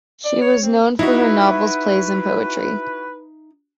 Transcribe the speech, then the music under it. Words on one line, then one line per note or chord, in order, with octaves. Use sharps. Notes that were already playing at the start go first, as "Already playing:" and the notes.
She was known for her novels, plays and poetry.
D5
C#5
C4
D#4 E4 F#4 B4 E5